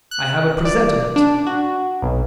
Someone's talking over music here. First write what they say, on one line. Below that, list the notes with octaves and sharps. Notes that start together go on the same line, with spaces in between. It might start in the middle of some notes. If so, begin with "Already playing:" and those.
I have a presentiment.
F#6
D5
D4
F#4
B1